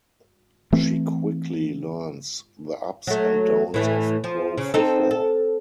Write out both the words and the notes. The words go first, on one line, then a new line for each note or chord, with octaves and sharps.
She quickly learns the ups and downs of pro football.
E3 A3 C4
F#3 A3
A2 E3 A3
F3
C#3
C4 D#4 A4
A4